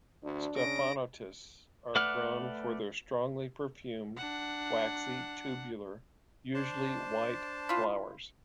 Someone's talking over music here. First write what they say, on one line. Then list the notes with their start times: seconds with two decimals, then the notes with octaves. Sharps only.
"Stephanotis" are grown for their strongly perfumed, waxy, tubular, usually white flowers.
0.24 D2 D4
0.57 C#3 A#6 D7
1.95 A3 B4 D5 F#5 F6
4.17 D4 F#5
6.54 D4 C5 A5
7.69 E4 F4